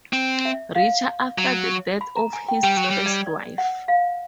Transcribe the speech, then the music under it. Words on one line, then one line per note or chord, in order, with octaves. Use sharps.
Richer after the death of his first wife.
C4
E5
F5
F#3
B5
A#5
G#5
G5
G3 G5
F#3
C#5
G3
D5
D5
F#5
F5